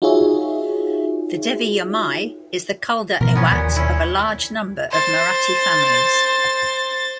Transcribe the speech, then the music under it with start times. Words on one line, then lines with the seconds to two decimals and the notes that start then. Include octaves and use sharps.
The Devi Yamai is the kuldaiwat of a large number of Marathi families.
0.02 D#4 F4 F#4 G#4 C#5 E5
3.21 B2 E3 F3 A#4
3.35 B3 C#4
3.52 D#2 A#2
3.76 C#4 E4
4.91 C5 A6